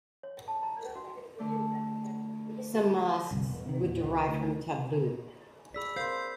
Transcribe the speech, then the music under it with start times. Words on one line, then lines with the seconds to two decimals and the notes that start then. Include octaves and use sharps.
Some masques would derive from tableau.
0.23 C#5
0.48 A5
0.63 A#5
0.96 F#4
1.39 D3 A3 D5
3.31 G1 C2
3.47 E1 B2
3.66 C3 D#3
3.81 E2 A#2
4.03 C#2
4.28 D2
5.74 G#4 D5 B5 E6 B6
5.96 A#4 C5 F5 C6 G6 C7